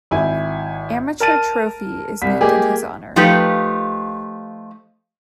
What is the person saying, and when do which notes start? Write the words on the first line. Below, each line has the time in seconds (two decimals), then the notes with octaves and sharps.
Amateur trophy is named in his honor.
0.11 G#1 E4 G#5
1.20 A#4 A5 F6 A6 D#7
2.22 C2 B6
2.41 G#3 A#3 G4 G#4
3.16 F3 A3 D#4 F4 G4 B4